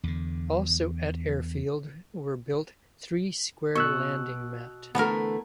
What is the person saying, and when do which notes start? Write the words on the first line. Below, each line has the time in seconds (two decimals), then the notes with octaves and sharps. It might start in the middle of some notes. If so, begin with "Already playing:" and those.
Also at Airfield were built three square landing mat.
0.04 E2 D3
3.75 B2 C#6 E6 F#6
4.95 D3 E3 A3 B3 A#4